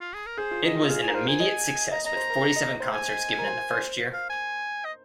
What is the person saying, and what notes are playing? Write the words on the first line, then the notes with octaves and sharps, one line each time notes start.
It was an immediate success with forty seven concerts given in the first year.
F4
G#4
A#4
G#4 C5
F4
D#4 D#5
F4
G#4 F5
G#5
A#4
C5 F5
G#5
D#5
D#5 A#5
D#5 A#5
C5
A#4
D#5
D#5
C5
G#5
A#4
C5
C5
F5
G#5
D#5